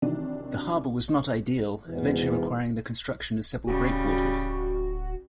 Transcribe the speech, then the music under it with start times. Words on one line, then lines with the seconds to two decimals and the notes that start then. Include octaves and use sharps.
The harbour was not ideal, eventually requiring the construction of several breakwaters.
0.02 C3 D#3 E3 F#3 D4 D#4
1.86 E2 G#2 B2 E3
3.67 D1 C#3 G3 F#4